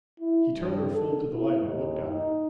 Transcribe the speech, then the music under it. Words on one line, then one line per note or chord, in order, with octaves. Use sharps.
He turned her full to the light, and looked at her.
E4
G2
A4
E4
D#2
D#4